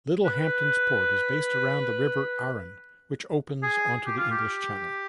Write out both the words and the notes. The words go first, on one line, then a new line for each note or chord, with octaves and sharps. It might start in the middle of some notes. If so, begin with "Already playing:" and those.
Littlehampton's port is based around the River Arun, which opens onto the English Channel.
B4
G#4
G4
F4
G4